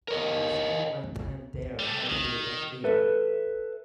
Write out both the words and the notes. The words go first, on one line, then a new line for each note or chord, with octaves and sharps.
I spent my time there idly and ill'.
A#4 C#5 D#5
G3 A3
D#3
A4 B4 E5